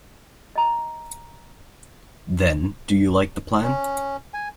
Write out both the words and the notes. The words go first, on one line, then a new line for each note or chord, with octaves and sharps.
Then you do like the plan?
D#5 A#5
C#4
G#5